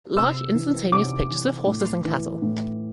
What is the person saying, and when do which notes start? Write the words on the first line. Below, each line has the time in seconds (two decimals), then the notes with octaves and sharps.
Large instantaneous pictures of horses and cattle’.
0.17 C3 E6
0.55 E3
0.92 C3 D6
1.30 E3
1.67 A2
2.05 E3
2.42 A2